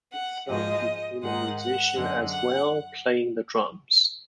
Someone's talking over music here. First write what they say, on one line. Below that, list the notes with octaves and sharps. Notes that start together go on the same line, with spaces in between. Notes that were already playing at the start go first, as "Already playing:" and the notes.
His son became a musician as well, playing the drums.
F#5
G#2 F3 G#3 D#5
G#2 D#3 G#3 F#5
F#5
F#2 D3 G#3
F#5